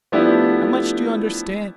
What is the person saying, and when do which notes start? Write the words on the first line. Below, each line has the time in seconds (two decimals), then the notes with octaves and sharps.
How much do you understand?
0.12 F3 A3 B3 D4 E4 G4